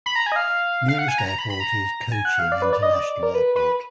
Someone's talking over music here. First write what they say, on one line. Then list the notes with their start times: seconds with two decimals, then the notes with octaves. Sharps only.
Nearest airport is Cochin International Airport.
0.06 B5
0.16 A#5
0.26 G#5
0.32 D#5
0.36 F5
0.88 F5
0.99 F#5
1.08 G#5
1.18 A#5
1.28 A#5
1.38 B5
1.50 B5
1.60 A#5
2.11 G#5
2.25 F#5
2.39 F5
2.52 D5
2.62 B4
2.73 D5
2.83 D#5
2.94 D5
3.23 A#4
3.35 B4
3.56 B4